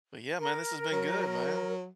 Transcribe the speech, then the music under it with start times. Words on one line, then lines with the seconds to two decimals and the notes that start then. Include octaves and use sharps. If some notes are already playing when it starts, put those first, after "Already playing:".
But, yeah, man, this has been good, man.
0.38 A#4
0.92 F#3